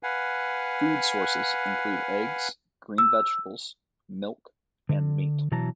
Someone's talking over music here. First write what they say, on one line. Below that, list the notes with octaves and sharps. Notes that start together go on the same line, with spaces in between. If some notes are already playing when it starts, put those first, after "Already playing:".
Food sources include eggs, green vegetables, milk, and meat.
B4 F5 F#5 G#5
E6
D3
B2 E3 F#3 A5 A#5